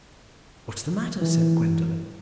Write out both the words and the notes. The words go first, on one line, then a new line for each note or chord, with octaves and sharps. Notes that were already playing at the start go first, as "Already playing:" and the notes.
"What's the matter?" said Gwendolen.
E3